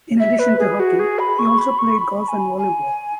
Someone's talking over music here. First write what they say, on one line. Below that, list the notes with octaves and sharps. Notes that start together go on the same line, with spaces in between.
In addition to hockey, he also played golf and volleyball.
E5
B4
G#4
F#4
G#4
B5
C#6
B5
C#6
B5
B5
G#5
G#5